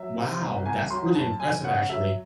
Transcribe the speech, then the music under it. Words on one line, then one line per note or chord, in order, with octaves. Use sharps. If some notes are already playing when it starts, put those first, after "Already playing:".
Wow, that's really impressive, actually.
Already playing: F#3 E5
C3
C2
C2 G#5
F#3 C6
F#2 A5
F#2 G#5
C#3 F#5
F#3 E5